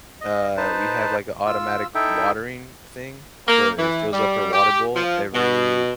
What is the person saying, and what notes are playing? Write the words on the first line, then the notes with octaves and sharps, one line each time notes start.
Uh, we have, like, a automatic watering thing. So it fills up her water bowl every
D#5
D#4 B4 C5 A5
F4 E6
D#4 E4 A4 E5 G5
A#3
E3
G3
G4
F3
B2